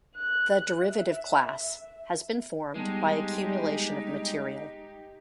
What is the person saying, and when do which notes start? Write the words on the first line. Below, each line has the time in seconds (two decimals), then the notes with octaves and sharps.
The derivative class has been formed by accumulation of material.
0.15 F#6
0.82 E5
2.75 G3 G#3 B3 D#4 G4 A5